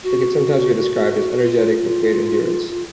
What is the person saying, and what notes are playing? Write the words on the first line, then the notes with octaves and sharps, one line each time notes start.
They can sometimes be described as energetic with great endurance.
F#4
F4